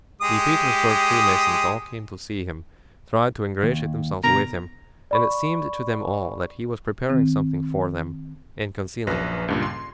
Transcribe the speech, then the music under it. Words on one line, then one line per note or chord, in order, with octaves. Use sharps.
The Petersburg Freemasons all came to see him, tried to ingratiate themselves with him, and it seemed to them all that he was preparing something for them and concealing it.
G#3 G4 D#6
D#2
B2 D3 A#5
D5 B5 C#6
D#3 C4
A#1 F#2 B4 A#6
C#2 G2 A#2
C6